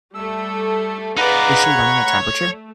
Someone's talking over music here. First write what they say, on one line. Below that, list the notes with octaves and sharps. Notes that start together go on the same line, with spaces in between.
Is she running a temperature?
G3 A3 E6
D#4 G#4 B4 D5 F5 F#5 A#5 B5
C#5
A3